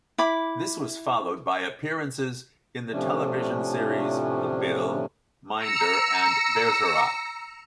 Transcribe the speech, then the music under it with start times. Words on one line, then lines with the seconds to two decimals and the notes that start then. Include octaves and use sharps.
This was followed by appearances in the television series "The Bill", "Minder" and "Bergerac".
0.18 E4 B5 D6
2.92 A2 C3 F3 A3 C#4 D4
5.56 A#5 E6 C#7